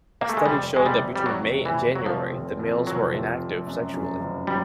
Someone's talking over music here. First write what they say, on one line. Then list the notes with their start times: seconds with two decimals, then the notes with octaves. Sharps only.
A study showed that between May and January, the males were inactive sexually.
0.21 A#3
0.29 A3
0.37 G#3
0.45 F1 G3
0.72 C3 G#3
0.86 G3
0.99 C3
1.16 G3
1.26 F1 F#3
1.52 C3
1.65 E3
1.79 F1
1.95 F#3
2.06 C3 F3
2.33 F1
2.59 F2
2.86 F1 F#3
3.14 C3
3.40 F1
3.67 F#2
3.94 F#2
4.20 F#1
4.47 F#3 G3